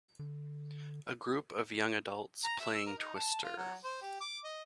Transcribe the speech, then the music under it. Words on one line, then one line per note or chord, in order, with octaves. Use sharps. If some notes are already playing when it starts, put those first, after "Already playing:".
A group of young adults playing Twister.
D3
A#5
E5
E6
A#4
D#4
A5
F4
F#3
C5
G4
D6
D#5